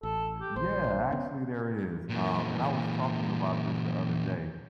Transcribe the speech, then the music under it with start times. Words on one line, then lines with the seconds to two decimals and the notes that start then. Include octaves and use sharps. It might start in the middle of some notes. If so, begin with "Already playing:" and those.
Yeah, actually, there is, um, and I was talking about this the other day,
0.03 A1 A4
0.41 G4
0.56 A#1 C5
1.11 C#3 B3 C#4
2.09 A#2 E3